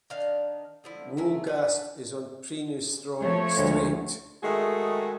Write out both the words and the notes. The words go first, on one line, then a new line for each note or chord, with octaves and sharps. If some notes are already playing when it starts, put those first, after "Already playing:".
Wolgast is on Peenestrom strait.
D#3 D4 F5
D3 F3 E4
G#3 A3 A#4 E5
D4 B4 G#5
F3 A3 C#5
D2
D#3 G#3 A3 F#4 G#4